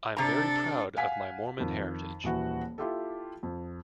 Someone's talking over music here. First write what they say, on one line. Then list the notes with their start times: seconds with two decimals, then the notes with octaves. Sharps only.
I'm very proud of my Mormon heritage.
0.17 C3 D4 A4 A#5
0.97 F5 F#5 G#5 B6
1.58 F2 D#3
2.24 D#1 E3 F#4
2.78 E4 F4 G4 A4
3.43 F2